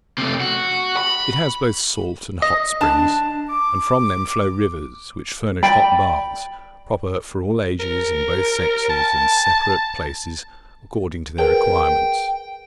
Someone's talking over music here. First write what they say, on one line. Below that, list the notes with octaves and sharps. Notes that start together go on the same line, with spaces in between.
It has both salt and hot springs, and from them flow rivers which furnish hot baths, proper for all ages and both sexes, in separate places, according to their requirements.
C3 A3
F#4
B5
D#5
D4 A5
D6
D5 G5 B5
A#4
A5
G#4 A#4 B4 G5